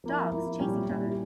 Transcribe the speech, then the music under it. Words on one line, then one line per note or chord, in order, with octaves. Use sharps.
Dogs chase each other.
F3 A#3 E4
F3 A#3 E4
A#2 G3 C#4 E4 G4
A#2 G3 C#4 E4 G4